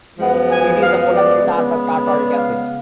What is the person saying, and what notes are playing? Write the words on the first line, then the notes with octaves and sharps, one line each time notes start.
It is the potassium salt of tartaric acid.
F#2 F3 G#3 B3 F#5
G#5
F5
D5
C#3 G#3 B3
D5
F5